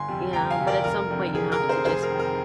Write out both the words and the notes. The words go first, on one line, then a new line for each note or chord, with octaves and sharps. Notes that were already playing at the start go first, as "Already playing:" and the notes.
Yeah, but at some point, you have to just
Already playing: G1 G#5 C6
F2 C3 G3
G1 G5 A#5
F5 G#5
F2 C3 G3
A#4 D5
F1 A#4
F2 D3
F1 G#4
A#4
F2 D3
G#4 C5
F1 G#4 C5
A#4
F2 D#3
A#4